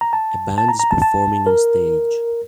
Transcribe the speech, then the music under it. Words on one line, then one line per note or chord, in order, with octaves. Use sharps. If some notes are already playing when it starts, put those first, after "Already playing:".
A band is performing on stage.
A#5
A5
A5
A#5
A#5
A5
A5
A#4